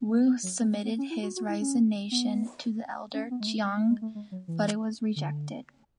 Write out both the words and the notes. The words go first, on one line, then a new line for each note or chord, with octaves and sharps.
Wu submitted his resignation to the elder Chiang but it was rejected.
A3
B3
F#3
G#3
A3
B3
C#4
E4
F#4
F#4
E4
C#4
B3
C#4
B3
G#3
A3
G#3
A3
G#3
A3
G#3
F#3
E3
D3